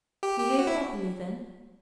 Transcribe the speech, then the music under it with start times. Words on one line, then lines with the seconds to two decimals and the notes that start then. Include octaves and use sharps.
'Behave properly, then.'
0.23 G4
0.40 G4
0.59 F#4
0.67 E4